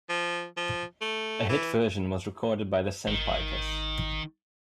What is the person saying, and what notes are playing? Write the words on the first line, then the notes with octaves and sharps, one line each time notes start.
A hit version was recorded by The Sandpipers.
F3
F3
A3
E3
G#1 D#3